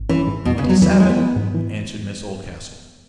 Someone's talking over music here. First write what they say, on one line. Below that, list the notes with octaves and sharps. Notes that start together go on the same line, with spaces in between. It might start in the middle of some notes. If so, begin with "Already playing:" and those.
"Twenty-seven," answered Miss Oldcastle.
Already playing: G#1
E3 C#4
G#2
E2 B2
C#3
B3
F#3
E2 E3
F#3
E3 G#3
B3
E3
G#2
E3